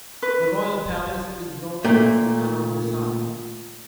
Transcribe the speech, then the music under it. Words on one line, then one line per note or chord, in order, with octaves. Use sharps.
The royal palace is known as "Istana Besar".
B4
A#2 A3